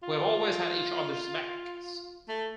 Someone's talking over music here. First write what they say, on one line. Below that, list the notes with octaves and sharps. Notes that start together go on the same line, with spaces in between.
We've always had each other's backs.
F4
A3